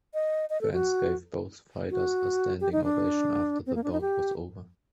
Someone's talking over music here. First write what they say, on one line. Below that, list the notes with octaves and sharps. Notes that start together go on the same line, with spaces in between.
Fans gave both fighters a standing ovation after the bout was over.
D#5
D#5
A4
F#4
F#4
G4
D#4
D4
C4
A#3
D4
D#4
G4